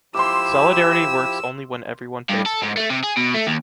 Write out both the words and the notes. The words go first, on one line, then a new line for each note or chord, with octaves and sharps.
Solidarity works only when everyone pays for it.
F3 E4 G4 C6 D6 E6
G2
A4
G#2
A3
C3
G#4
B2
A3
D#2